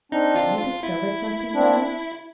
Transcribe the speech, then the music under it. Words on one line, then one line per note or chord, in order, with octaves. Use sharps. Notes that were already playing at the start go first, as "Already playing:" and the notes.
Had he discovered something then?
C4 D4 D#4
F4
F4
E4
C4 D4